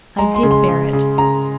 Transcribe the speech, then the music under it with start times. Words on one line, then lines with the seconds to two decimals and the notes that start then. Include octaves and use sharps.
I did bear it.
0.18 G#3 A#5
0.35 C6
0.43 C#3
0.51 C6
0.68 C#3
0.93 C#3
1.18 C#3 A#5